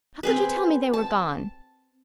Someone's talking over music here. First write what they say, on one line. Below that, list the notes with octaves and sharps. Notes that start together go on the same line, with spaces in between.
How could you tell me they were gone?
C4 G#4 B4
A5